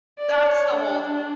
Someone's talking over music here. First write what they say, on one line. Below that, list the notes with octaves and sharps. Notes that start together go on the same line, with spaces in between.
that's the whole th
D5
C#5
D4